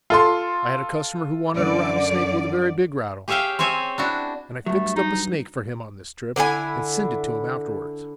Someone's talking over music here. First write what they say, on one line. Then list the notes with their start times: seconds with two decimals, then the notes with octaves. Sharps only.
I had a customer who wanted a rattlesnake with a very big rattle, and I fixed up a snake for him on this trip and sent it to him afterwards.
0.10 F4 A4 C6
1.55 F#2 D3 D5
3.28 G4 G#4 C#5 E5 F5 G5
3.59 C4 C5 C#5 E5 G#5
3.98 D4 E4 F#4
4.66 G2 F#3 A3
4.96 D#4
6.36 D3 E4 A#4 G#5